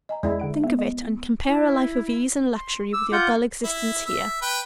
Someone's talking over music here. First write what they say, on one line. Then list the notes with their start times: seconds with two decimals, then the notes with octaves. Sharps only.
Think of it, and compare a life of ease and luxury with your dull existence here.
0.09 D#5 G#5 A#5
0.23 E2 G#3 E4 D5
0.40 D3 F#5 D7
0.64 B3 E5
0.79 D#5
1.47 E4
2.56 C6
2.93 D6 E6
3.13 F4 F#5 G6
3.64 E4
4.06 E5
4.42 B4 G5